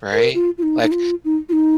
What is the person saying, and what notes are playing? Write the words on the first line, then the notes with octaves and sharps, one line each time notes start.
Right? Like,
A#4
F4
F4
D#4
D#4
F4
D#4
F4
D#4